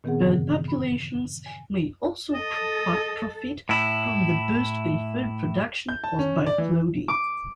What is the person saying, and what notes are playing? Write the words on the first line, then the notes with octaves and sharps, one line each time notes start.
Bird populations may also profit from the boost in food production caused by flooding.
A#2 D#3 B3 C4 G#4 F#5
G2 C#3 E3
B5
G#5
A4 D#5
A2 E4
G6
A5
C#4
D5
E3
D6